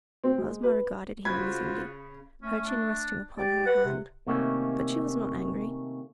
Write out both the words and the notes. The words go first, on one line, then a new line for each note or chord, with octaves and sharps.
Ozma regarded him musingly, her chin resting upon her hand; but she was not angry.
C4
G#3
B4
C#3 F4 F#4 C5 B5 G#6
A3 C#4
D4
G4 D5
B4 F#5
C3
C3 D#3 A3 A#3 C#4